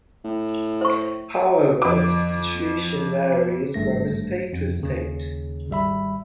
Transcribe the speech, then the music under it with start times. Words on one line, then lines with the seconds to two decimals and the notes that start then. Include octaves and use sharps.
However, this situation varies from state-to-state.
0.24 A2
0.81 C5 C#6
1.82 F2 D6
3.74 G#1 G2 A3 A#6
4.53 F2
4.80 D#2 C#3
5.70 G#1 G3 E5 B5